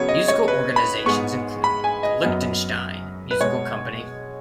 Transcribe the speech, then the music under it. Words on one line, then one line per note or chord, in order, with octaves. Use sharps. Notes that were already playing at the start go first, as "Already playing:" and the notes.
Musical organizations include the Liechtenstein Musical Company.
Already playing: C#3 F#3 B3 C#5
D#5
C#5
B4
B5
G#2 G#3 B3 C#6
B5
G#5
D#5
F#2 F#3 B3
B4
B2 G#3 B3 C#5